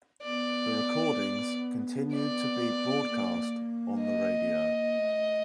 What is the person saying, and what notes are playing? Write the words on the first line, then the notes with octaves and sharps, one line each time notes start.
The recordings continued to be broadcast on the radio.
B3 D5
D5
A#3
D#5
A3